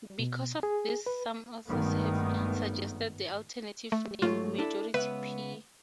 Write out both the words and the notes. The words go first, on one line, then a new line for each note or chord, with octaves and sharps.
Because of this some authors have suggested the alternative name "Majority-P".
B2
G#4
B4
G#1 G2 D#3 A3 B3
A3
G#2 F#3 A3 F4
D4 E4 A4
C#2 B3 B4 E5